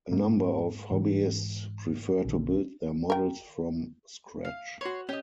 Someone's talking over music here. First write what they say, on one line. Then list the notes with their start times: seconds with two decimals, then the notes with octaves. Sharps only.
A number of hobbyists prefer to build their models from scratch.
0.11 G#2 F#3 G#3 A#3
0.91 G#2 E3
2.25 A#1 D3
3.10 A#4 G5
4.45 F5
4.81 F#4 B4 C#5 C6
5.09 C#4 G4 D#5